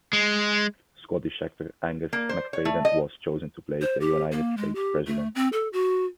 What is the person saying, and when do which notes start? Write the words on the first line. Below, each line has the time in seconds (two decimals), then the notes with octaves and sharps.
Scottish actor Angus Macfadyen was chosen to play the United States President.
0.13 G#3
2.13 A#3
2.29 C5
2.53 C#5
2.65 A3
2.85 D#5
3.81 C5
4.01 G4
4.32 A#3
4.57 G#3
4.75 G4
5.07 A3
5.35 C4
5.52 A4
5.73 F#4